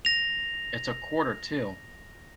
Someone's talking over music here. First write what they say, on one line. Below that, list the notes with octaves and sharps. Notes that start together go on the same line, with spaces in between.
It's a quarter to.
A#6 F7